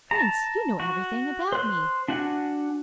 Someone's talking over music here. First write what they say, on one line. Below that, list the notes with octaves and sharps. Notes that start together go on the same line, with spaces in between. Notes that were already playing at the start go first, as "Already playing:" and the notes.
"Prince, you know everything about me."
A5 A#5
F#4
C5 F#6
D4 F#4 F#5 G#5